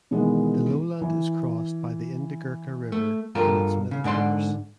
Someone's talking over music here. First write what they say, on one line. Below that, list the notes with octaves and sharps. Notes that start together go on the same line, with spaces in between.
The lowland is crossed by the Indigirka River in its middle course.
B2 D#3 E3 G#3 B3
E3
A3
G2 F4 A4 A#4
C#3
G#2 D3 D5 C6